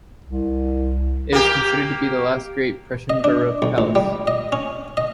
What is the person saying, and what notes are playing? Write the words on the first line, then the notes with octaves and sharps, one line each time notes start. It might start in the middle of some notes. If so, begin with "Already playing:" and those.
It is considered to be the last great Prussian Baroque palace.
C2
A#3 G4
D#5
D4
B1
A1
G3
D#5
C#4
D#5